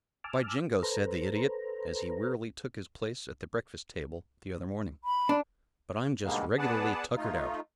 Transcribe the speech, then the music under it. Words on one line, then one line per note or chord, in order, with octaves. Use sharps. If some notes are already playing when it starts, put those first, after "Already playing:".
"By Jingo!" said the Idiot, as he wearily took his place at the breakfast-table the other morning, "but I'm just regularly tuckered out."
G#5 A5 D6 E6 F6
A4 B4 C5 A#5
B5
D4
G#2 B2 D3 G3 G#3 A#3
B3 G#4 B4 D5 F#5 A5
A3 D#4 F4